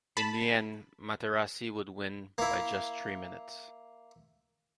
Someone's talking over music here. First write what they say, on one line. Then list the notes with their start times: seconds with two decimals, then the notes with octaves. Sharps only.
In the end Materassi would win by just three minutes.
0.17 A5 B5
2.38 A#3 E4